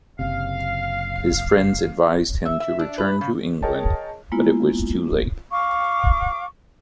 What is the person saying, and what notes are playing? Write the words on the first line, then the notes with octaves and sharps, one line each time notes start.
His friends advised him to return to England, but it was too late.
F#1 C3 F5
E5
E5
D4
B4
C#3
G#4 A#4 C#5 D#5 G5 A5
G#3 A#3 B3 E4 F4
F5 C#6 D6